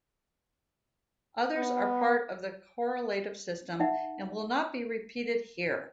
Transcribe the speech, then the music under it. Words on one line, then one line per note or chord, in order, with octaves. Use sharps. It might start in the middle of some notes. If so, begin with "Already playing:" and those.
Others are part of the correlative system, and will not be repeated here.
B3
D#4 E5 F#5